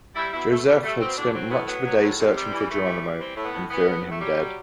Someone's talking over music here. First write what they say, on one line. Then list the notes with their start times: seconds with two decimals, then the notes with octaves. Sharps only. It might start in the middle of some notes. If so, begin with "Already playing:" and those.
Josephe had spent much of the day searching for Jeronimo and fearing him dead.
0.15 G3 E4
0.32 B2 E4
0.49 B2 A3
0.66 B2 G3
0.83 G3 A3
1.00 B2 C4
1.17 A2 D4
1.34 F#3 C4
1.50 A2 B3
1.67 F#3 B3
1.84 F#3
2.01 A2
2.17 C3 G3
2.34 G3
2.52 E3
2.68 E3 A3
2.86 G3
3.02 G3
3.19 E3 C4
3.36 A2
3.44 B3
3.53 A2
3.69 E3 B3
3.87 A2
4.04 A2
4.10 A3
4.20 F#3 G3
4.37 F#3